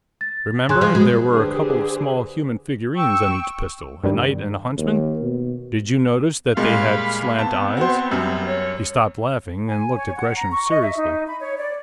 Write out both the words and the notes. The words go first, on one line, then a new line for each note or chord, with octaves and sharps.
"Remember, there were a couple of small human figures on each pistol, a knight and a huntsman? Did you notice that they had slant eyes?" He stopped laughing, and looked at Gresham seriously.
A6
C#3 G#5 C6 F#6
F3
G#3 F#4
D3 D4 G4 G#4 B4 C5
G5 C#6 E6
G2 D#3 G3
D#2
B2
A#2 G3 G#3 F5 B5
B3 C4 A5
F#4 C5
F#2 G3
C#5
G#5
C#5
F#5
A#5
C#6
D#5
E5
D#4
B5
C#5
D5